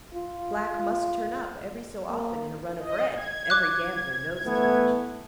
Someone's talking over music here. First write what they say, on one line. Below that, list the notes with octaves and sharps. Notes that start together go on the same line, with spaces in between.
Black must turn up every so often in a run of red: every gambler knows as much.
F4
A#3
D#5
G#6
D6 F#6
E3 A3 B3